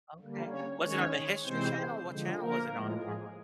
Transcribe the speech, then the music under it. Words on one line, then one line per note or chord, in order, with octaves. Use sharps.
Okay was it on the history channel, what channel was it on normally?
D3 G3 A#3
C#4 C#5
D#3 G#3 C#4 C#5
C3 E3 G#3 C4 C5
D3 F3 G#3
A#3 A#4
A2 F3 G#3
G#3 G#4